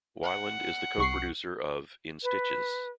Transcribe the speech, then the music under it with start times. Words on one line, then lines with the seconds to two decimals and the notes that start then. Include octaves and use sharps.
Weiland is the co-producer of "In Stitches".
0.24 F#5
0.98 C2 C#6 C7
2.23 B4